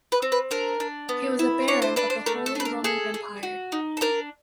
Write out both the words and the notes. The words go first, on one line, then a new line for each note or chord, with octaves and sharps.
He was a Baron of the Holy Roman Empire.
B4
C4
B4
D4 A#4
D4
B3
E4
D4 C#5
C5
D4 B4
C5
A3 A#4
A4
D4 B4
A#4
G#4 A4
G#4
F#4
D#4
A4
D4 A#4